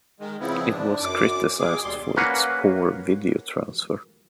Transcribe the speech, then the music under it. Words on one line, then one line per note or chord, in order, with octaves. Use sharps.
It was criticized for its poor video transfer.
D#3 G#3
C#3 F3 B3 C4 E4
D4
F#2 D6
B2 G#4 D6
D#2 G3 C6
A#3 C#4 F#4 B4 F5 F#5